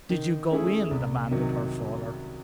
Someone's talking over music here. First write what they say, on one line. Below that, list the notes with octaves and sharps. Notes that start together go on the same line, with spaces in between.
"Did you go in?" demanded her father.
D#3
A3 C#4 E4 G#4
C2
C3 D#3 F#3